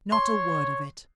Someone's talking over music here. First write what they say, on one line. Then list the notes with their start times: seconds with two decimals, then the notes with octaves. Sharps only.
'Not a word of it.
0.12 C#5 C6